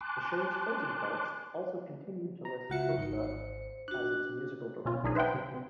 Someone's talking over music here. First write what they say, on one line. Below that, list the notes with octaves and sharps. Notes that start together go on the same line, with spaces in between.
The show's closing credits also continued to list Costa as its Musical Director.
G#5 A5 C6 D6 F#6
A#5
C#2 F4 F#4 E5 F#5 C#7
G#1 D#4 C#7
C5
D4 F#4 F#6
B2 C#4 F4
B1 D4 D#4 G#4
B4 C5 E5 F#5 G5
C3
C3